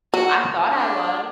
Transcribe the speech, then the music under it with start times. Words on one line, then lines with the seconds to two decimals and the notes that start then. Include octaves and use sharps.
I thought I was.
0.14 F#3 F#4
0.67 D4